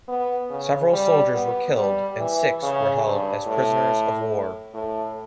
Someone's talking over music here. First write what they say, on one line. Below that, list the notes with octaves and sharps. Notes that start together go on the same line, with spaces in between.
Several soldiers were killed and six were held as prisoners of war.
B3
C#3
G3
B3
G3
E3
C#3
G2
A2
A2